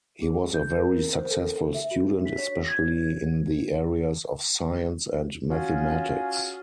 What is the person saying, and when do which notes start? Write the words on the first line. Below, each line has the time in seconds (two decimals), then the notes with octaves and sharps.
He was a very successful student, especially in the areas of science and mathematics.
0.22 G#4
0.54 G6
0.76 A#4
1.13 C5
1.31 A4
1.74 E5
1.91 F#4
2.09 D4
2.26 B6
2.38 C#5
2.68 G#6
5.50 C#4 F4 F#4 G#4